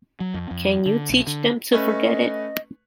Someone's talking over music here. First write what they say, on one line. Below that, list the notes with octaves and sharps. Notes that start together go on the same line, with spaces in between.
Can you teach them to forget it?
F#3
F2
F2
D3
B1
D3
A3 C#4 B4 D#5